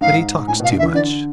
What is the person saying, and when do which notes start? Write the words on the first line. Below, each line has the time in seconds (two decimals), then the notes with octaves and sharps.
"But he talks too much."
0.01 G#2 F5
0.48 A2 G#5
0.60 B2 F5
0.71 D3
0.78 E5
0.83 E3
0.94 D3 D5